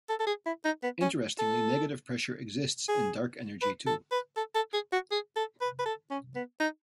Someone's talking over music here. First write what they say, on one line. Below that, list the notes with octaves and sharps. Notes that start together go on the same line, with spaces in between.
Interestingly, negative pressure exists in dark energy too.
A4
A4
G#4
E4
D#4
B3
C#4
A4
G#4
B4
A4
B4
A4
A4
G#4
F#4
G#4
A4
B4
B4
A4
C#4
B3
D#4